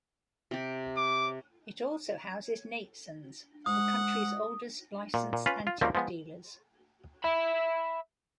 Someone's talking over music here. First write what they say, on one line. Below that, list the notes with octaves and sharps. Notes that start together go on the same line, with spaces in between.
It also houses Natesans, the country's oldest licensed antique dealers.
C3 G4
D6
G#2 F#5 D#6
A#2
A#2
C#4 F4 B4
F4
D#2 F3 G3 A3 A#3 C4
F3 G#3 B3
E5 B5